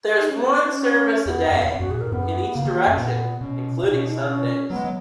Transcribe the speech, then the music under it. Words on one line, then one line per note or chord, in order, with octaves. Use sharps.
There is one service a day in each direction, including Sundays.
D#4
C#4
B3
C#4
D#4
C#4
E2 B3
F#2
E2
B3
F#2 F#4
A#2 G#4
G#2 A#4
F#2 B3
C#3 A#3
D#3
F#2
C#4
A#2 B3
B2 C#4
B2 D#4
C#4
D#4
E4
C#4
F#3 B3
G#3
F#3